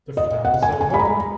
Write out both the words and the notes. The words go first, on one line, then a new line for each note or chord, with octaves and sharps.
The flowers of var.
D#5
F#5
G#5
G#5
B5
A#5